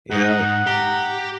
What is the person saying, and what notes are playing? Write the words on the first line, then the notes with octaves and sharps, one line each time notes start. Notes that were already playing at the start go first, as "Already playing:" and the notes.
you know.
G#2 D#4 F#5
G4 A#5